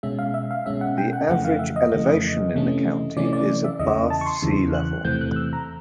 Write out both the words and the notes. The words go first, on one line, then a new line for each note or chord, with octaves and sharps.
The average elevation in the county is above sea level.
B2 G#3 C#4 E5
F5
E5
F5
B2 G#3 C#4 E5
F#5
G5
F#5
F2 C#3 E3 A3 F#5
F5
E5
D#5
F2 C#3 E3 A3
C3 E3 A3 C#4
C3 E3 A3 C#4 D5
D5
E5
E2 C#3 E3 D#5
A5
C#6
C6
E2 C#3 E3
F#6
E2 C3 E3 A3 C4 G6
F#6
E6
A#5